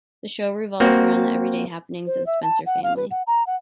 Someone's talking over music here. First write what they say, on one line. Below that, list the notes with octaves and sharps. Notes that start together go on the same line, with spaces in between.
The show revolves around the everyday happenings of the Spencer family.
A#3 C4 F#4
C5
E5
A5
F#5
F5
B4
F#5
A#5
F#5